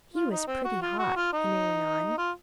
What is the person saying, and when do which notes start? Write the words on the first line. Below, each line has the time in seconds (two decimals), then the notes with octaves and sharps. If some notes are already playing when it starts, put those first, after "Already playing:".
"He was pretty hot," Henry went on.
0.14 F4
0.31 D#4
0.47 C4
0.64 F#4
0.82 F4
0.99 F#4
1.16 F4
1.33 D#4
2.18 F4